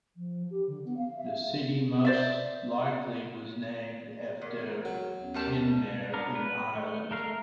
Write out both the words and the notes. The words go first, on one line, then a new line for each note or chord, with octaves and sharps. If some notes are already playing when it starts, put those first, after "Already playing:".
The city most likely was named after Kenmare, in Ireland.
F3
G4
D3
B3
F5
E5
C5 D5 E5
E2 A#4
F#3
D#2 B3 C#4
E2 G3 A#4 A5
B3 D4 A#4
B4
A3
A3 A#4 F5